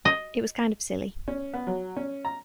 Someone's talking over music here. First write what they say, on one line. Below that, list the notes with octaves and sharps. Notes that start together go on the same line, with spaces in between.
It was kind of silly.
D#5
C#4
B3
F#3
C#4
A#5